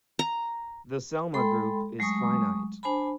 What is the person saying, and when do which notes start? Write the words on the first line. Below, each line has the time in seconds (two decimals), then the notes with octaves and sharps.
The Selmer group is finite.
0.19 A#5
1.34 G#3 A4 G5 B5 C6
1.99 F#3 G#3 A3 G#5 C#6 D#6
2.83 D4 C5 G#5 A5 B5